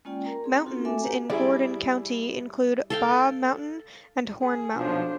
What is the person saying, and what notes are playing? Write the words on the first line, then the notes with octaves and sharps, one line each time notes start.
Mountains in Gordon County include Baugh Mountain and Horn Mountain.
G#3 A#3 C#4 F4 D5 G5
A#4 A#5
C4 G#4
C4 C#4 D#4 F4 F#4 A4
A3 A4 E5 G#5 D6
G4 B4 F#5 G#5 A#5
G3 E4 G#4 D5
A4 F5 G5
G#4
B1 F3 D4 C5